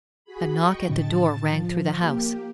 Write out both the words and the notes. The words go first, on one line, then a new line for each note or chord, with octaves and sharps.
A knock at the door rang through the house.
F#4 G#4 B5
D#5 G5 C#6
A2 D3 D4 A5 A6
F3
A#3 G4